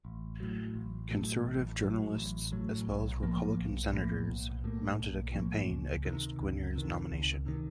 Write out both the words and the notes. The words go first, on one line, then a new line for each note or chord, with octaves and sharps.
Conservative journalists, as well as Republican Senators, mounted a campaign against Guinier's nomination.
A1
A2 F#3
A1
A2 F#3
A1
A2 F#3
A1
A2 F#3
B1
A2 F3 A#3
B1
A2 F3 A#3
B1
A2 F3 A#3
B1
A2 F3 A#3
C#2
C3 D#3
C#2
C3 D#3
C#2
C3 D#3